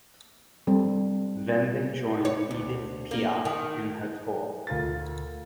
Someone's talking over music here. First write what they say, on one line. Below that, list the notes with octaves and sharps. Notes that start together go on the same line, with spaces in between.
Then they joined Edith Piaf in her tour.
G3 C4 A4
C#5
D2
A#3
D#3
D2 F4 A#4 A6